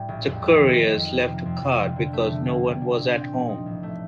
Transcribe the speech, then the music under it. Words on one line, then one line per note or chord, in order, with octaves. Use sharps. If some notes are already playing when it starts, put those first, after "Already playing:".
The couriers left a card because no one was at home.
Already playing: A2 G3
A#1
F2
A3
D#3
F2
F2
F3
C3
F2
F2
F3
D3
A3
C3
A#3
G3
D4
A#2
C4
F3
D#4
A1
A3